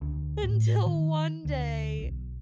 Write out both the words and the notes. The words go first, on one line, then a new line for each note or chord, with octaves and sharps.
Until one day,
D2
A2
D#3
D2
B1